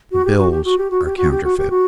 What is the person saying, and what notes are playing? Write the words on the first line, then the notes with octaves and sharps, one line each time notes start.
"The bills are counterfeit."
F#4
G4
F#4
G4
F#4
G4
F#4
G4
F#4
G4
F#4
G4
F#4